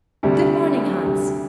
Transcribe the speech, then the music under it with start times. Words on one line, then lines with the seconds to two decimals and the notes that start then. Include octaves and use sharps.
'Good morning, Hans.
0.23 D2 C3 G3
1.05 D2 C3 G3